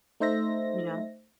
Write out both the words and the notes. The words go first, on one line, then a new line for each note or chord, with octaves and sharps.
you know?
A3 D#4 C5 E5 A#6